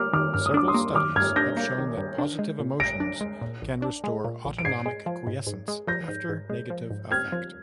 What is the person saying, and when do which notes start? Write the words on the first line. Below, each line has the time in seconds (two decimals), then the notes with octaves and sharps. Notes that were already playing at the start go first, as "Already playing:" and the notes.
Several studies have shown that positive emotions can restore autonomic quiescence after negative affect.
Already playing: A#3 D6 F6
0.13 D#3 D6 F6
0.34 G2 F6
0.46 D#6
0.54 D4 D6
0.68 C6 D#6
0.74 A#3
0.95 D#3 D6 F6
1.16 G2 F6 G#6
1.36 D4 G6 A#6
1.57 A#3
1.78 D#3
1.98 G2
2.18 D4
2.39 G#3
2.59 A#2
2.80 A#1 A#6 D7
3.00 D4
3.21 G#3
3.41 A#2
3.62 A#1
3.82 D4
4.04 G#3
4.24 A#2
4.45 A#1
4.58 D7
4.65 G#2 G#6 C7
4.86 G#3
5.06 F3
5.27 G#2
5.47 G#2
5.68 G#3
5.87 F3 G6 A#6
6.08 G#2
6.29 G#2
6.50 G#3
6.70 F3
6.91 G#2
7.11 C4 F6 G#6
7.32 F3